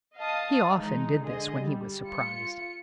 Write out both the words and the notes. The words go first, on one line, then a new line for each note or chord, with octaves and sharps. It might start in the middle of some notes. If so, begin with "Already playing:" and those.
He often did this when he was surprised.
D#5 F5 A5 D#6
E3 G#3 D#4
D3 G#4 D#5
G3
F4 C#7